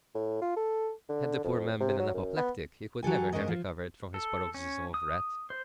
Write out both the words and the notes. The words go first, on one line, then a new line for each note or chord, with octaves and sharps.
Had the poor man been an apoplectic, he could never have recovered from his paroxysm of wrath.
A2
F4
A4
D3
F2
C3
F#3
F#2
B3
F#3 G4 A4 G#5
G#2 E3 C#4 A#4 D#5
F3
A4
C#4
D#6
C5